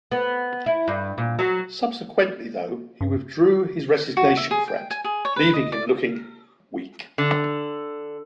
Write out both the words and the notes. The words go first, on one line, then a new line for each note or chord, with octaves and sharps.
Subsequently, though, he withdrew his resignation threat, leaving him looking weak.
B3
E4
G2
A#2
F#3
G2
F#4
E5
G#4
G5
G#5
G#4
C#5
B4
D#5
D5
D3